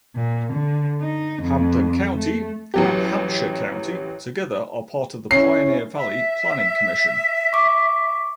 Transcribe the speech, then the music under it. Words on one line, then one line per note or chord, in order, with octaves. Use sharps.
Hampden County and Hampshire County together are part of the Pioneer Valley Planning Commission.
A#2
D3
D#4
F2
A3
A1 F#3 G4
C#4 E4 C7
E5
C#6 D6